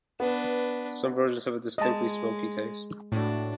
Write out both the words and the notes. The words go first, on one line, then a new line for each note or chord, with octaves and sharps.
Some versions have a distinctly smoky taste.
B3 D4 B4
G#3 D#5 A5
A2 D4 F#4